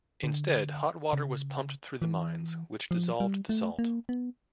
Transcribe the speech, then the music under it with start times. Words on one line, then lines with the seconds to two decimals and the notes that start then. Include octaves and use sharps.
Instead hot water was pumped through the mines, which dissolved the salt.
0.24 D3
1.13 C#3
2.02 E3
2.91 F3
3.20 G3
3.49 A3
3.79 A#3
4.09 B3